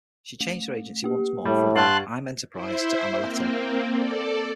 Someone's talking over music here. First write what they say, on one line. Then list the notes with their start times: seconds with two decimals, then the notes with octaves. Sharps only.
She changed her agency once more from I'm Enterprise to Amuleto.
0.41 A3
1.04 A#3 G4
1.45 A2 G3
1.76 G2 F#5 A5 C6 C#6 F6 F#6
2.52 E4 C5 E5
3.12 A#3 C4
3.95 A4 D5